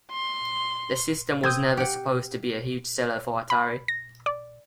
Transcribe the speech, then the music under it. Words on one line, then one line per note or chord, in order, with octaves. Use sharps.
The system was never supposed to be a huge seller for Atari.
C6
C4 D#6 G6 G#6
G4 F#5
B5
A#6
D5